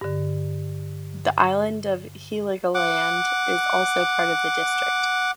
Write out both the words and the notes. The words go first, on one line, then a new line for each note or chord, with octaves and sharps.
The island of Heligoland is also part of the district.
G2 D3
F#5 D6